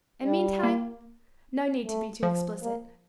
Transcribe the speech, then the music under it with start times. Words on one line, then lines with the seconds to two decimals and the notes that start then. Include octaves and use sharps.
And meantime--no need to be too explicit.
0.24 G3
0.63 A#3
1.83 A3
2.23 F3
2.62 A#3